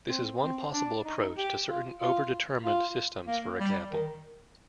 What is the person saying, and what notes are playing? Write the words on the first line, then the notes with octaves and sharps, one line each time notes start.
This is one possible approach to certain over-determined systems, for example.
C4
C4
D4
D#4
G4
F4
F4
F4
A#3
G3
D#3